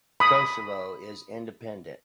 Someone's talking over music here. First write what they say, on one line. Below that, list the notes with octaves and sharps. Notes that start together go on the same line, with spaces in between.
Kosovo is independent.
B5 D#6